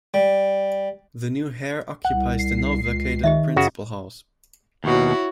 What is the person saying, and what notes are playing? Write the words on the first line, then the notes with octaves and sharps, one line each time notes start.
The new heir occupies the now vacated principal house.
G3
C2 F#5
C7
C#2
D#3 G4 D#5 E5
F#2 C#3 F#4
D#2 B2 E4 F#4 C#5